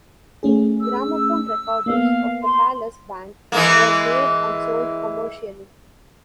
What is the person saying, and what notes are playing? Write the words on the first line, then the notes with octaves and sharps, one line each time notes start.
Gramophone recordings of the palace band were made and sold commercially.
A3 C#4 G#4
E6
A#3 B3 F5
C6
E3 G#3 A#3